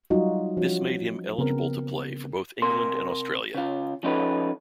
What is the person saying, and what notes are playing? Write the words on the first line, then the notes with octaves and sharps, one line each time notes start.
This made him eligible to play for both England and Australia.
F#3 G3 D#4 F4 F#4
F3 C#4 F#4
C#3 B3 C4 A#4
C3 A#4 C6
C#3 F4
F3 C#4 D#4 E4 A4 B4